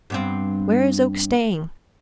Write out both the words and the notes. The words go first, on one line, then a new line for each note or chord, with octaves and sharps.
"Where is Oak staying?"
G2 B3 C4